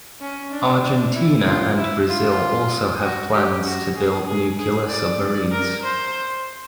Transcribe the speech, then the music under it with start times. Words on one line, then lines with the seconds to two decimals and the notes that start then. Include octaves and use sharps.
Argentina and Brazil also have plans to build nuclear submarines.
0.21 C#4
0.52 D4
0.83 D4
1.14 E4
1.46 F4
1.77 E4
2.08 F4
3.02 F#4
3.33 G4
3.64 F#4
3.96 G#4
4.27 G#4
4.58 G#4
4.89 D5
5.52 A#4
5.83 C5